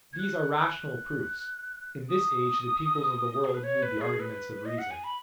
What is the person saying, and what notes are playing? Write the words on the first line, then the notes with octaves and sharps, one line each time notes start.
These are rational proofs; in this age the peoples of the world need the arguments of reason.
G#6
F#6
F#6
D#6
G#4
B4
C#5
B4
G#4
B4
D#5
F#5
G#5
B5